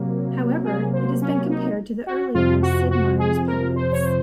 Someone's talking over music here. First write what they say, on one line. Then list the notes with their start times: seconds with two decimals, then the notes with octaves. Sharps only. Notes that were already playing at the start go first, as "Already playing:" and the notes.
However, it has been compared to the earlier Sid Meier's Pirates!
Already playing: C3 F#3 A#3
0.65 G#4
0.93 C5
1.22 C#4
1.49 D#4
2.06 F#4
2.34 F2 C3 F3 F4
2.62 F#4
2.91 F#4
3.19 G#4
3.48 A#4
3.76 C5
3.92 C#5
4.04 C5